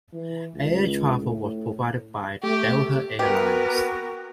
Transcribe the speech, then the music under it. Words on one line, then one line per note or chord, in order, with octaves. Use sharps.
Air travel was provided by Delta Air Lines.
E3
C#2
A2
A3 G4
B3 F#4 G4 A#4 B4